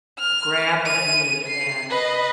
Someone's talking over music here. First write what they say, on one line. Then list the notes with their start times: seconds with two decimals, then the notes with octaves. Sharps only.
grab of me and
0.19 F6
0.85 D#7
1.47 C7
1.90 B4 D#5